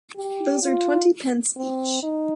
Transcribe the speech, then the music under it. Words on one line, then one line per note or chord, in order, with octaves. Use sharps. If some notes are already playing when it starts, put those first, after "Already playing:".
Those are twenty pence each.
G4
F4
C4
D#4